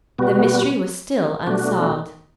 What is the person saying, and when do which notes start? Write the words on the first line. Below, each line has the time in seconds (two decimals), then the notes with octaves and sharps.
The mystery was still unsolved.
0.18 B2 G3 B3 F#4
1.47 B2 A3 D4 F#4